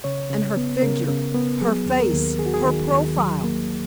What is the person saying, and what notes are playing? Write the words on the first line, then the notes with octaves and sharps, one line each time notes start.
And her figure, her face, her profile!
C#3 C#5
C#3
B3
C#3 A#4
C#3
B3
F#3 G#4
D#2
A#4
D#2
D#3 G#4
F#4
G#4
D#3
D#2
F#3
A#3